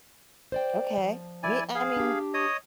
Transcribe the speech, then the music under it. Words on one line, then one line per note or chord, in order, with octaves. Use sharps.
Okay. Me I mean,
C5 D5 G5
F3
E4 D5 G#5
G#4 F5
D4 G4
C#5 D#5 D#6